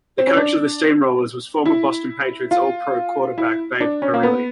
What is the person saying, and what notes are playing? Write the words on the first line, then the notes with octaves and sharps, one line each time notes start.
The coach of the Steamrollers was former Boston Patriots All-Pro quarterback Babe Parilli.
C4
C#4
D4
E4
F4
E4
D4
C#4
A#3
B3